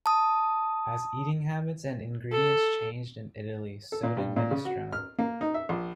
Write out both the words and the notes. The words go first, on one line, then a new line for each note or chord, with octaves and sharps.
As eating habits and ingredients changed in Italy, so did minestrone.
A5 D#6
A4
A4
A#2
G2
A#2
C#3
F#4
F6
A#3
D#4
E5
A#1